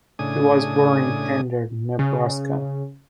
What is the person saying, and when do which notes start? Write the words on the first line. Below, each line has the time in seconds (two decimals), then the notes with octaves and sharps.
He was born in Pender, Nebraska.
0.19 A2 C#3 D4 G#5 D#6
1.99 C#3